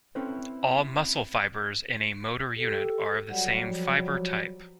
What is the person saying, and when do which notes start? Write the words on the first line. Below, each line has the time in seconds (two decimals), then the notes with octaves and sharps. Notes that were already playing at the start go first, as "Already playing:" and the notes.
All muscle fibres in a motor unit are of the same fibre type.
0.15 C4 C#4 E4 A4 B4 C5
2.57 G4 A4
3.31 F#3 G3 F#5
3.66 F3